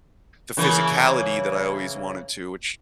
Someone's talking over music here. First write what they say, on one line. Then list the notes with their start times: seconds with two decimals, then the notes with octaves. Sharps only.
the physicality that I always wanted to- which,
0.57 C#3 E3 A#3